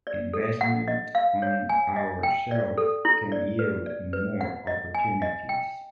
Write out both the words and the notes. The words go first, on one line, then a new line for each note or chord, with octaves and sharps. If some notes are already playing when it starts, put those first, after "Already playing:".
Investment on our self can yield more opportunities.
D5
A4
F#5
D#5
F5
C#5
G#5
D#5
G5
D5
A4
E4
D5
B4
D5
B4
F#5
D#5
G#5
D#5
G5